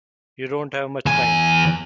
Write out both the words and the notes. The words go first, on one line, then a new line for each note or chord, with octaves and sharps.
You don't have much time.
E2 G#5